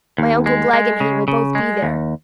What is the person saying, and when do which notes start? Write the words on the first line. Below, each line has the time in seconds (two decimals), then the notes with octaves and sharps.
My uncle Glegg and he will both be there.
0.18 D#2
0.46 G#3
0.73 G#3
1.00 C#3
1.28 C#3
1.55 G#3
1.82 D#2